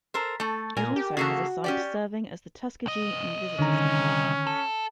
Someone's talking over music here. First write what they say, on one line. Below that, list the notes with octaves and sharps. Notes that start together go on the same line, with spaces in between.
It also has a site serving as the Tuskegee Visitor Center.
A4 A#4 C5
A3 A4
A#2 A#4 G#5
G4
C#3 A#3 F#4 A4
C#4 G4 D5
C2 D#5
D3 D#3 C#4 A#5
A4